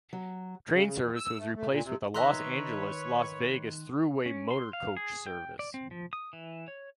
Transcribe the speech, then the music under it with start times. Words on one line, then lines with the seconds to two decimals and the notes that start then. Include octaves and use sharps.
Train service was replaced with a Los Angeles-Las Vegas Thruway Motorcoach service.
0.13 F#3
0.71 C#3
0.86 C#3
1.01 E2
1.16 E6
1.39 A3
1.55 A3
1.70 A#2
1.83 C3
2.14 D#3 B4 C#5 D#5 E5 A#5 C6 F#6
4.26 C#4
4.51 C6
4.73 F5
4.97 G#4
5.26 G5
5.59 D5
5.74 C4
5.91 F3
6.13 D#6
6.33 E3
6.68 C#5